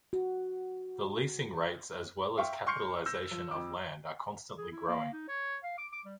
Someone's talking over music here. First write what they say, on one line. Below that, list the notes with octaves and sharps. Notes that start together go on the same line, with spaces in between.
The leasing rates as well as capitalization of land are constantly growing.
F#4
E5 F5 G5 C6 C#6
C6 C#6 F6 G6 C7 C#7
E6 G6 A#6 E7
F3
F2 D6
G#4
E4
A#3
D#4
C#5
F5
D6
D6
G3